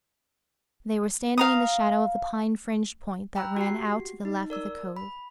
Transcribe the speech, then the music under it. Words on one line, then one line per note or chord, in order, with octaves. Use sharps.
They were standing in the shadow of the pine-fringed point that ran out to the left of the Cove.
F5 A#5 D#6
G5 A#5 B5 E6 F#6
F#4 G4 C7
D#4
A#4 D5 E6
B5